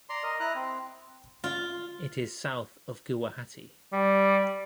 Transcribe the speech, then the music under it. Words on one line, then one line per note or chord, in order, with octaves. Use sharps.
It is south of Guwahati.
D5 A#5 C6
A#4 D#5
E4 A#5 F#6
C4
F4
G3